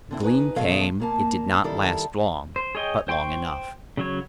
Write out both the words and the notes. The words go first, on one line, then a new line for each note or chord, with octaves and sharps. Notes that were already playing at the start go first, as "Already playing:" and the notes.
The gleam came; it did not last long, but long enough.
D3 C4 E4
D#4 B4 G5 G#5
E2 B2 F#3 A4 D#5 F5
A#2 A#3 A5
D#3 G3 E4 A4
C5
G#4 C#5 D#5 G5
C5 G5 C6 C#6
C#3 F#3 C#5